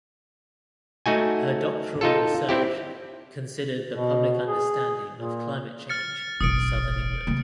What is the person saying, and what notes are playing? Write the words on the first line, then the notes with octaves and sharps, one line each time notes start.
Her doctoral research considered the public understanding of climate change in Southern England.
A3 D#4 F#4 G#5
D#4 F4 A4
C4 E4 G4
B2
G#4
A#2
F6 A6 C#7
E1 A1 D#6 C#7 D7
C#3 A3